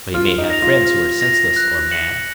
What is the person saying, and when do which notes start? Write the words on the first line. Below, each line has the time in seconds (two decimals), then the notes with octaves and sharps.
But he may have friends who are senseless or mad?
0.14 F4 F6
0.38 D#4
0.50 A#6 F7
0.62 F4
0.85 F6
1.21 A#6 F7
1.56 F#6
1.91 C#7 F#7